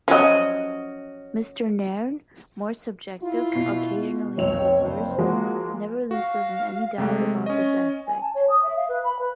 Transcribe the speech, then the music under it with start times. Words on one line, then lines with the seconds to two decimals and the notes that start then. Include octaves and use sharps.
Mr Nairn, more subjective, occasionally perverse...never leaves us in any doubt about this aspect.
0.08 F3 F#3 C#4 F#4 D#5
3.22 E4 F4
3.52 B2 C7
4.37 F1 B1 C4 C#5 F7
4.83 F#1 G2 C4 C5
5.18 F3 G#3 A#3 F#4
6.11 F#4 F5
6.98 C3 G#3 A3
7.46 C#4 D#5 C#6
8.07 G#5
8.21 A5
8.34 C#5
8.49 D#6
8.63 E5
8.76 F5
8.88 B4
9.04 B5
9.19 B4